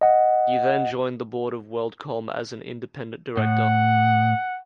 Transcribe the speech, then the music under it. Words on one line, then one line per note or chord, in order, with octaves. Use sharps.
He then joined the board of WorldCom as an independent director.
D#5 F#5
A2 F#5